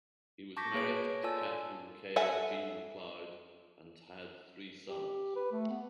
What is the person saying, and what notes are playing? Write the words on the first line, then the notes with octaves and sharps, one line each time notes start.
He was married to Katherine 'Kay' Jean MacLeod and had three sons.
A5 C#6 D6 G6 A#6 B6
A#3 G#4 B4 C#5 C#6 D7
C#5
F4 A4 D5 G#5 A5 E6
A4 E5 F#5 G#5
G4
B4
A3
B3